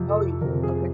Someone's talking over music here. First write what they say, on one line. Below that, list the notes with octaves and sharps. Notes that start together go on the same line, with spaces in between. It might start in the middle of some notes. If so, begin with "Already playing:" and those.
Oh, you okay.
Already playing: F2 C3 F3
A4
F2 C3 F3 A#4
G#4